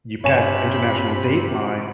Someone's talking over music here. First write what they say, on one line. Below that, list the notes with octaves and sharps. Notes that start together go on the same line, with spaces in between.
you passed the international dateline,
G2 C3 C#5 G#5 B5 E7